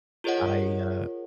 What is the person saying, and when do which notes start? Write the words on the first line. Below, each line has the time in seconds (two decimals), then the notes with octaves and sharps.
I, uh
0.24 F4 G#4 A#4 C#5 D#5 F#5